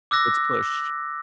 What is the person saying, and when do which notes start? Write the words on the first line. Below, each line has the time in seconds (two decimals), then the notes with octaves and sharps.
It's pushed.
0.11 D6 E6 F#6 A#6